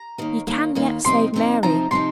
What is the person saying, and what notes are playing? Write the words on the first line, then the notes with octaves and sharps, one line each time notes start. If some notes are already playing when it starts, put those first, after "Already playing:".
You can yet save Mary.
Already playing: A#5
D#2 D#3 A#3
D#2 D#3 A#3
D#2 D#3 A#3
C3 F3 C4 D#4 C6
C3 F3 C4 D#4
C3 F3 C4 D#4 A#5
C3 F3 C4 D#4 C6